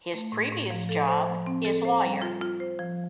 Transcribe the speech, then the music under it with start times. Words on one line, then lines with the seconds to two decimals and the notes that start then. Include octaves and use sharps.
His previous job is lawyer.
0.14 A3
0.32 A2
0.52 A2
0.70 F3
0.89 A4
1.08 C5
1.27 F3
1.46 C4
1.65 A4
1.85 C5
2.04 G3
2.22 F4
2.41 F4
2.60 C5
2.79 F3